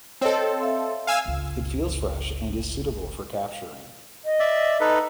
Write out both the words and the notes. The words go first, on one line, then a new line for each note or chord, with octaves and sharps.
It feels fresh and is suitable for capturing.
C4 A4 C#5 D#5
E5 F5 C6
F5 G#5 E6
G1 C#2
D#5
D5 E5
D#4 A4 B4